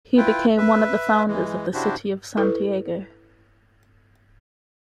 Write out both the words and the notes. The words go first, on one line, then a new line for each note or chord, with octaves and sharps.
He became one of the founders of the city of Santiago.
E4 F4 B4 G5
B4 E5
E3 G#3
C#3 D4 E4 F#4 G4 C5
E4 A4 B4